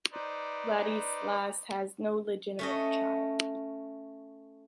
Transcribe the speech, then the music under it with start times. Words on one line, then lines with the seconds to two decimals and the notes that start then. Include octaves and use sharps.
Vladislas has no legitimate child.
0.11 D#4 B4 C5 D5
2.59 A3 C#4 D#5